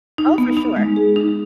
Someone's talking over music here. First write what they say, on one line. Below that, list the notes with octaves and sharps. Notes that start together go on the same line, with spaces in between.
Oh, for sure.
D#4
B3
D#4
G#3
G#4
D#4